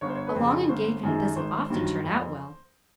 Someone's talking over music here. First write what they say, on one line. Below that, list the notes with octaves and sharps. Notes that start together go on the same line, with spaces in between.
A long engagement doesn't often turn out well.
G1 C#5
C5
C#5
B4
F2 C#3 C5
G1 C5
F#2 D#3 G#3
G#1 C5
G2 D#3 F#3
F2